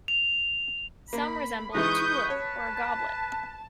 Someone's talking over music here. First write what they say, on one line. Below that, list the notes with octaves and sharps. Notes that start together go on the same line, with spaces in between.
Some resemble a tulip or a goblet.
F7
A#3 B5
E3 G#3 D#4 B4 C#6 D#6 G6
C#5 A5